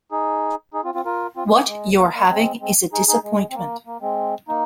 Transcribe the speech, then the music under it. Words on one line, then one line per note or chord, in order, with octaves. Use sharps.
What you're having is a disappointment.
D#4 G#4
D#4 G#4
C4 F4
C4 F4
F4 A#4
C4 F4
A#3
G#3
A#3
A#3
G#3 C4
G#3 C4
D#4 G#4
D#4 G#4
G#3
C4
A#3
A#3
G#3 C4
A#3 D#4